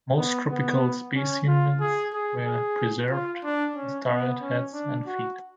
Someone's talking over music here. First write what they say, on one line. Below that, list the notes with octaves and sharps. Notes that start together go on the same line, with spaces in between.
Most tropical specimens were preserved as dried heads and feet.
B3
B3
C#4
F4
G#4
G#4
G#4
F4
D4
C#4
B3
C#4
D4
F#4